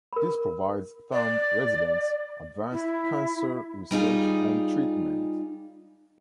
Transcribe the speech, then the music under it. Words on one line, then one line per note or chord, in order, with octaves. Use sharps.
This provides Thumb residents advanced cancer research and treatment.
A#4 B5
D5
E4
G3 D#4 F4 G#4